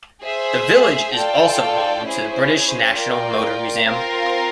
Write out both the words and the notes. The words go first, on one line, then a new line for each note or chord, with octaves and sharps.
The village is also home to the British National Motor Museum.
G#4 C5 E5
F4 A4 D5 G5
C#4 E4 G#4 C5
F4 A#4 D5 G5
C4 F4 A#4